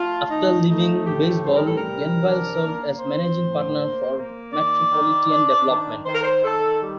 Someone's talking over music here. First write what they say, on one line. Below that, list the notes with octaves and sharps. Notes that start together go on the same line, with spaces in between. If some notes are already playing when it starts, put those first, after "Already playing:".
After leaving baseball, Glanville served as managing partner for Metropolitan Development.
Already playing: A3 F4
D#3 D#4
A3 D#4
A2 G4
G3 C5
A#4
A4
A#4
C3
D4
A#3
C4 C5
A2
A#3
A#3
D#3 D5
D#3
D4
D#3
D#3 C5
A#4
C5
D#3 A4
G3